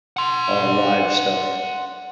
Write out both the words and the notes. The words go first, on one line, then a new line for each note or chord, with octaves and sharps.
uh, live stuff.
F#5 C6